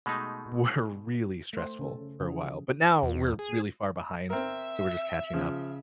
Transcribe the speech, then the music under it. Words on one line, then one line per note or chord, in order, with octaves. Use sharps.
were really stressful for a while, but now we're really far behind, so we're just catching up.
B2 G#3 A3 D#4
A3 C5
C#3 C#4 A4
C#3 F3 G#4
E2
G#4
C4 A#4 E5
C#3 F3